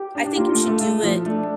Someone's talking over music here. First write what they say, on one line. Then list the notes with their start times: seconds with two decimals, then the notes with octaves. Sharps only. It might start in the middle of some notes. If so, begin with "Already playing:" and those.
I think you should do it,
Already playing: G4
0.15 D4
0.26 D4
0.36 A#3 F4
0.52 A3
0.67 A3
0.81 A3
1.03 F3
1.25 A3 D4